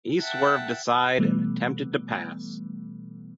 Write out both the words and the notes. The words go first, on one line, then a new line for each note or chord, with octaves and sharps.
He swerved aside, and attempted to pass.
E5 F#5 G5 A5
B2 E3 G3 A3 B3